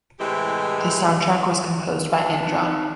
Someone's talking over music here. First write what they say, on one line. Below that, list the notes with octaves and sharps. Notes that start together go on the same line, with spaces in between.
The soundtrack was composed by Indra.
A2 C3 E3 G#3 C4 G4
D#4 A5